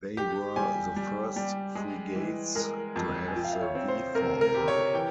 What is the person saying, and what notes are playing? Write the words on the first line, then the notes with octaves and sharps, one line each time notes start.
They were the first frigates to have the "V" form hull.
G4
G3 G#5
G3
G3
G#3
E3
G#3 A#4
F2
G#5
F3 G5
F5
E5
C#5
C4
C5
C3 A#4
A#4
G4
C#5
E3 G5